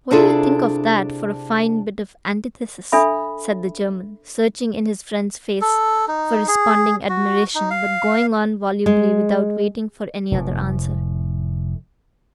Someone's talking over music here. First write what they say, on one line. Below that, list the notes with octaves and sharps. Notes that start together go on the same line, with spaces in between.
"What do you think of that for a fine bit of antithesis?" said the German, searching in his friend's face for responding admiration, but going on volubly without waiting for any other answer.
C3 D4 E4 F4 G#4 A4
D4 A4 E5 B5
A4
D#4
G#4
F#4
D#4
F5
G#3
F1 A2